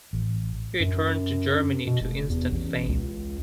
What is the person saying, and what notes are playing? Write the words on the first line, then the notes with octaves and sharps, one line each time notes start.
He returned to Germany to instant fame.
A1
F#2
B2
F1
E2
A1
C#2